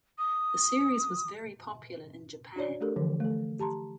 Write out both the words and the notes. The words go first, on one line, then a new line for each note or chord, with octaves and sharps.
The series was very popular in Japan.
D#6
D4 F#4 C#5 D5
A3 D4 G4 A4 A#4
D3 E3 F3
A3 A4
G4 A5 A#5 C6